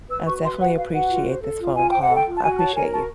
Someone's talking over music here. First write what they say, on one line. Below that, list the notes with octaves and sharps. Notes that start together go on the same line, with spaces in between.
I definitely appreciate this phone call, I appreciate you.
B4 E6
F#4 C#6
B4 C6
F#4 F#5
B4 F5
F#4 F#5
F4
C5
A4
F4
F4 G#5
C5 G5
F#5
A4
G5
F4
A5
F#4 G#5
C#5 A5
A#4 G#5
F#4 A5